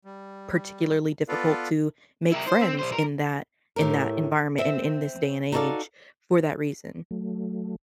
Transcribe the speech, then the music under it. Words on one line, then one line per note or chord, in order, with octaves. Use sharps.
particularly difficult to make friends in that in that environment and in this day and age for that reason.
G3
B3 F4 A4 B4 D5 F5
E4 A#4
C5
C4
B1 C5
A#4
A2 G4 A#4
C4 E5
D#4 F#4 A4 C5 D5 F5
F#3 A3